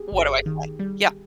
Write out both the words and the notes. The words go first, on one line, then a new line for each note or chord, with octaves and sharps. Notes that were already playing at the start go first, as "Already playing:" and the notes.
What do I say?" yeah.
Already playing: G4 G#4
G1
D#3
G3